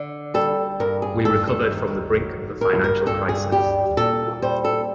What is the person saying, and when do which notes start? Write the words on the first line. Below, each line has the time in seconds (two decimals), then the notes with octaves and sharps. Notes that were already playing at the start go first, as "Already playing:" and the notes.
We recovered from the brink of a financial crisis.
Already playing: D3
0.34 G3 A4
0.80 G2 A#4
1.02 G#4
1.25 G2 A4
1.47 A4
1.71 D#3
2.16 F#3
2.61 G2 A#4
2.84 A#4
3.06 G2 A4
3.29 G#4
3.51 G3 G4
3.97 A#2 A4
4.42 G3 C5
4.65 A4